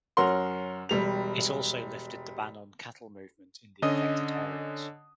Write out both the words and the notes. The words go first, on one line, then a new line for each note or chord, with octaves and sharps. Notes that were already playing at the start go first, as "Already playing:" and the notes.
It also lifted the ban on cattle movement in the affected areas.
F#2 C#4 A#4 F#5 C6
E1 G3 F7
D3 C#4 D#5 D#6